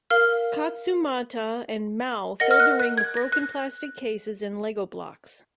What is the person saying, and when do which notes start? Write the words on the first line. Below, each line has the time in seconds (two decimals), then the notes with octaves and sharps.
Katsumata and Mao filled the ring with broken plastic cases and Lego blocks.
0.10 A#4 F5 F6
2.40 A#4 D#5 F#5 A#6
2.51 F6
2.60 F#6
2.80 F#6
2.98 G#6
3.17 A#6
3.32 F#6